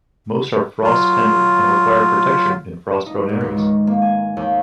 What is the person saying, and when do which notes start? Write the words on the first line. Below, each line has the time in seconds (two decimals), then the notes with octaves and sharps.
Most are frost-tender and require protection in frost-prone areas.
0.84 F#3 F4
3.06 D#4
3.29 G#2
3.41 C#2
3.57 D#3
3.87 A#3
4.02 G#5
4.37 D#2